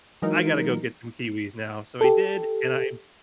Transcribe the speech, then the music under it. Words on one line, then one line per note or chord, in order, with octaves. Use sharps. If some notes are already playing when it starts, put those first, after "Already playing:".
"I gotta go get some kiwis now." So, I did, and I
E3 F#3 G#3 D#4 A#4
G4 A4